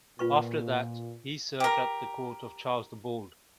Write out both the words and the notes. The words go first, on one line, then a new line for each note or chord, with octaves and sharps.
After that, he served at the court of Charles the Bald.
A#2 F4 B4 C#6
G4 A#4